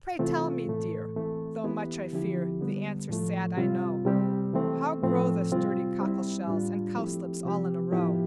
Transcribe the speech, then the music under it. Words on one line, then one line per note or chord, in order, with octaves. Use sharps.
"Pray tell me, dear, though much I fear The answer sad I know, How grow the sturdy cockle-shells And cowslips, all in a row?"
C3 E3 A3 C4 F4
A2 E3 A3
E3 A3 C4
E3 B3 E4 G4
D3 F3 C4 E4 G4
D3 G3 B3
A2 F3 A3
C3 G3 C4 F4
C3 G3 C4 G4
E3 A3 C4
A2 F3 A3 C4
C3 G3 C4 F4
G3 C4 E4
A2 G3 D4 F4
F3 A3 C4 E4 G4
C3 F3 C4 G4
A2 F3 B3 E4 G4